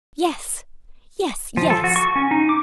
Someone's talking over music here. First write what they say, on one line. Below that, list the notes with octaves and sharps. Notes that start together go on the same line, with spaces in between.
Yes, yes, yes!
F3
A4
F#4
C#6
C#4
D#4
D6